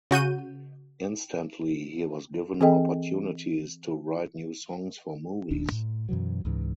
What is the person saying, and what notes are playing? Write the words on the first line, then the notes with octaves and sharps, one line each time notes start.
Instantly he was given opportunities to write new songs for movies.
C#3 F#4 G6 D#7
E3 C4 G#4 A4 D#5 G5
D#1 D#2 D4
A2
F#2 B2 E3 F#3
C#2 G#2 E3